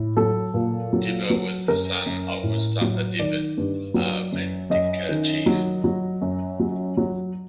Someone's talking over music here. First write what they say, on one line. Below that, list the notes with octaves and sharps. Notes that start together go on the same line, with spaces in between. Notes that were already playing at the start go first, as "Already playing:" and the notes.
Dibba was the son of Mustapha Dibba, a Mandinka chief.
Already playing: A2
F#3 A4
A#2
F#3
F#3
F#2 A#4
F#2
A2
F#3
D#3 D5
G2
F#3
F#2
F#2 D#5
D#3
F#3
F#3
F#2
F#3
F#3